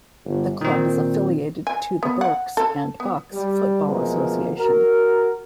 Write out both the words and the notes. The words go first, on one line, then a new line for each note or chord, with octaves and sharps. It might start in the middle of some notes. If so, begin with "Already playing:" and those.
The club is affiliated to the Berks and Bucks Football Association.
G1
A#2 D#3 C4
G#5
B3
F#5
A4
B3
G3
B2 E3 F3 G#3 A#3 C4
F#4 A#4